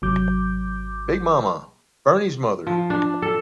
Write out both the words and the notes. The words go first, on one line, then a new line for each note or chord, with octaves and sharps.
Big Mama - Bernie's mother.
G#1 C3 F#3 D6 G6
F3
D4
A4